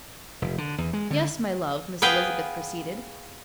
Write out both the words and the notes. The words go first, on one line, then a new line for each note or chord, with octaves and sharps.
"Yes, my love!" Miss Elizabeth proceeded.
F1
D3
E2
G#3
D3
B3 G#4 B4 F5 G5